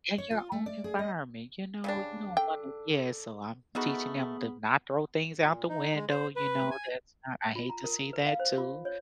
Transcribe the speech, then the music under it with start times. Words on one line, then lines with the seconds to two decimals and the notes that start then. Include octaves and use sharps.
In your own environment, you know, you don't wanna yeah, so I'm teaching them to not throw things out the window, you know, that's not I hate to see that too.
0.18 C#5
0.31 F4
0.52 A3
0.66 D5
0.84 G#4
0.99 D#5
1.84 C#3 G3 D4
2.37 A4 G5
3.75 A3 B3 D#4 F#4 G#4 B5
5.41 A#2
5.69 D#4
5.95 G#3
6.09 C5
6.36 B4
6.71 G#5
7.55 F4
7.70 A#5
7.84 A#4
8.13 B4
8.27 F5
8.40 C5
8.58 F4
8.85 C#5